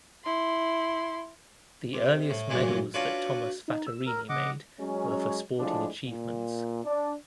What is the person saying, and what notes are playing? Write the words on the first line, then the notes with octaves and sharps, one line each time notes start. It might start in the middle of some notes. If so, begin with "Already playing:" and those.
The earliest medals that Thomas Fattorini made were for sporting achievements.
E4 C6
C3
A2
G2 A#2 E3 F#3 G#3 B3
C#4 D4 F4 F#4 B4
D#4
E6
A#4
C#3 D#5 F#5 D6
F#3 G#3 C#4
A2 F3 G#3 D4
A#2
D4